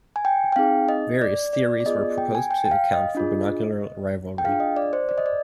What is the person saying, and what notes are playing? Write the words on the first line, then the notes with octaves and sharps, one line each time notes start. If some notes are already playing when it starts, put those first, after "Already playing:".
Various theories were proposed to account for binocular rivalry.
G#5
G5
G5
C4 D#4 G#4 F5
D#5
D5
D5
D5
B3 F4 G#4 D#5
G5
G#5
G5
G5
F5
D#5
D4 F4 G#4
G5
D4 F4 G#4 F5
D#5
D5
C5
D5
D#5
D5